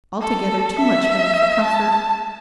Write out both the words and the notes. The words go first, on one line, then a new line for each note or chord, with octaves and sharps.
Altogether too much married for comfort.
A4
E5
A5